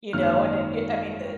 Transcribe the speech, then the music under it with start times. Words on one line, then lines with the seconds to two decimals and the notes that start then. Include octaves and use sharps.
you know? And, i eh, I mean, the
0.13 G#1 F#2 D#3 A#3 F6